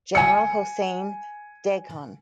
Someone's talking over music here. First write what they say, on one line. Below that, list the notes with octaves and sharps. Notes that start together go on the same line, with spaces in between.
General Hossein Dehghan.
G#5 C#7